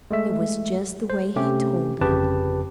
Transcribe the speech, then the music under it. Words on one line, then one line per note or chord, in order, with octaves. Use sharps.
It was just the way he told it.
G#3 A3 E5
C5
C3 A3 C#4 G4
G1 F2 C#3 G4 B4 A5